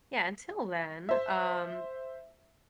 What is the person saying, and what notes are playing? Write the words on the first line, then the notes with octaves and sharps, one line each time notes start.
Yeah, until then, um
C5 E5